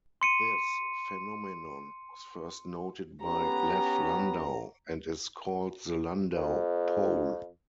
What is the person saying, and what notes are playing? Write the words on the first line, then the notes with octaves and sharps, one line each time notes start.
This phenomenon was first noted by Lev Landau, and is called the Landau pole.
C6 C#7 D#7
B3 C#4 G4 A#5
F2